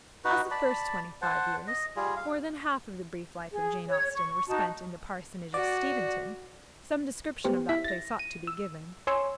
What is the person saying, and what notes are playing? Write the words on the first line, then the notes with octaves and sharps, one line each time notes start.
As the first twenty-five years, more than half of the brief life of Jane Austen, were spent in the parsonage of Steventon, some description of that place ought to be given.
D#4 F#4 B4
D5 A5 B5
C5 F#5 A5
D#5
G3 F4 G#4
F5
G#4
C#5
C#6
D#4 F#4 A5
F#4 D5
B3 G4 C5
E4 E5 B6
A6 A#6
D#7
E6
C#5 G#5 C6 C#6 E6